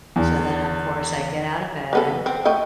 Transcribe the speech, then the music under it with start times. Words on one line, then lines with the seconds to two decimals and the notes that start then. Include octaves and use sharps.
So then of course I get out of bed
0.16 E2
1.93 G3 B3 A4
2.26 C4
2.45 A3 D#5 G5